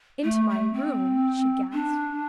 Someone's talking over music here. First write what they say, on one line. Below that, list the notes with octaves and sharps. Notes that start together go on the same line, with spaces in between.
"Into my room?" she gasped.
A3
A3
C4
D4